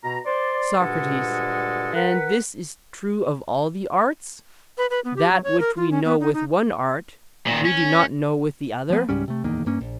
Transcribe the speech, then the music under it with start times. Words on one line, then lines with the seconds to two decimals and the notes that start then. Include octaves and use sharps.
SOCRATES: And this is true of all the arts;--that which we know with one art we do not know with the other?
0.04 B2 A#5
0.25 C5 D5 C6
0.79 D2 G2 A#2 G#3 A4 F#5
1.94 A#4 B4 F#5
4.78 B4
4.90 B4
5.05 B3
5.16 G4
5.31 F#3
5.44 C#5
5.60 A#4
5.77 F4
5.91 C#4
6.04 B3
6.20 D#4
6.34 D#4
7.47 A#2 D#3
7.65 C#4
8.90 F3 B3
9.09 C#2 G#2 G3 C#4
9.28 C3 A3
9.44 D1 E2 D#3 A#3
9.66 G2 A#3 C#4
9.81 A#1